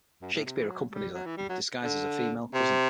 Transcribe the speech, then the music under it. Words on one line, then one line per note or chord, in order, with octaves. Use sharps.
Shakespeare accompanies her, disguised as her female cousin.
F#2
A2
C3
E3
F#3
G3
F#3
E3
G3
F#3
D3
C3